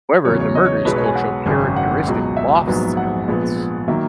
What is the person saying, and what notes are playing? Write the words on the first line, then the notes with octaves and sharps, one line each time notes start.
However, the murders still show characteristic Lofts elements.
E2 C#3 F#3 C#5
C#5
D#5
C#5
C#5
B1 B2 G#3 B4
C#5
G#5
F#5
G#1 F#2 C#3
F#5
C#2 B2 F#3
E5
A#1 G#2 F#3 B3
F#5
A#1 A#2 G#3 B3
D#3 F#3 A#3 E5